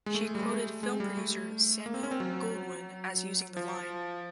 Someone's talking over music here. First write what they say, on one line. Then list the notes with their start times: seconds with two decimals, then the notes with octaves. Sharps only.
She quoted film producer Samuel Goldwyn as using the line.
0.06 G#3
0.15 A3
0.35 G3
0.43 G#3
0.49 A3
0.83 G#3
1.00 G3
1.17 A3
1.86 A#3
1.94 C4
2.03 C#4
2.11 C4
2.20 F#3
3.57 F3